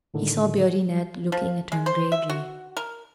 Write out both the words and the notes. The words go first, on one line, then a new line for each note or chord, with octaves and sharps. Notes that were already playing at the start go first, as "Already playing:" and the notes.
He saw Beardy Ned looking at him gravely.
A2 D3 D#3
F3
G#3
C5
E5
F#4
A#4